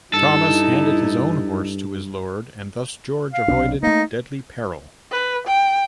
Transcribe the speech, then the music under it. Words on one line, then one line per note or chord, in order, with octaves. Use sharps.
Thomas handed his own horse to his lord and thus George avoided "deadly peril".
G2 D#4 E4 A4
F5
B1 C4 D4
A3 A#3 D#4
B4
G5